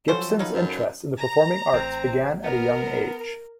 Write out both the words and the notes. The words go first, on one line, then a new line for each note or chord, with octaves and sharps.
Gibson's interest in the performing arts began at a young age.
F3 F#3 B3 C#4 A4 C5
C#3 D#4 B4
F#2
A#5
A1 C4
B3 A#4